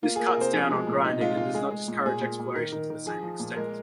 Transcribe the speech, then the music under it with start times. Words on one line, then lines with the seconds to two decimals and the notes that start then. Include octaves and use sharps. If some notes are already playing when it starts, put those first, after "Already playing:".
This cuts down on grinding and does not discourage exploration to the same extent.
0.03 A#3 F4
0.16 G#4
0.20 A#3
0.28 A#4
0.37 C3 C5
0.53 F3 G#4
0.71 G#3
0.87 A#2
1.04 C3 D#4
1.21 G#3 F4
1.37 G#3 F4
1.54 G#3 G#4
1.71 G#3
1.88 A#2
2.06 A#2 G#4
2.21 A#2
2.39 A#2
2.56 D#3 A#4
2.72 D#3
2.90 D#3
3.06 F3 G#4
3.23 F3
3.40 A#2
3.56 G#3 A#4